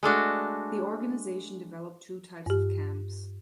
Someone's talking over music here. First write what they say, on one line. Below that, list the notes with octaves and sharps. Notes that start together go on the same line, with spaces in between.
The organization developed two types of camps.
G#3 A3 D4 F#4
G2 G4